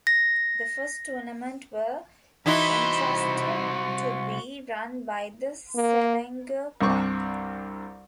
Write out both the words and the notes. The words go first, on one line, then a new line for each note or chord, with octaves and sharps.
The first tournament were entrusted to be run by the Selangor Club.
A#6
C2 E3 D#4 E4 F#4 C5 B5
A#3
C2 G2 C4 C#6 D6